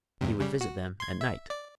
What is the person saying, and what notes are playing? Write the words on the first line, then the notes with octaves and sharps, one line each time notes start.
He would visit them at night.
E2 G2 C3
C#3 G3
F#4
C6 G#6
E5
D5